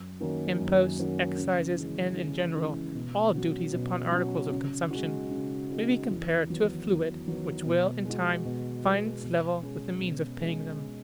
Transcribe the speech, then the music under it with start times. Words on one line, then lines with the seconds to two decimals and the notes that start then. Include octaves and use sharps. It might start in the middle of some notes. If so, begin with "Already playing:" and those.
Imposts, excises, and, in general, all duties upon articles of consumption, may be compared to a fluid, which will, in time, find its level with the means of paying them.
Already playing: F#2
0.20 D#3 A#3 C#4 F#4
0.60 F#2
0.98 D#3 A#3 C#4 F#4
1.38 C#3
1.76 E3 G#3 C#4
2.16 C#3
2.56 E3 G#3 C#4
2.95 B2
3.34 F#3 C#4 F#4
3.73 B2
4.12 F#3 C#4 F#4
4.52 C#3
4.91 G#3 D#4 F#4
5.31 C#3
5.70 G#3 D#4 F#4
6.10 E2
6.49 D#3 F#3 B3
6.88 E2
7.26 D#3 F#3 B3
7.66 B2
8.05 G#3 B3 F#4
8.45 B2
8.84 G#3 B3 F#4
9.23 B2
9.62 G#3 C#4 G#4
10.01 B2
10.40 G#3 C#4 G#4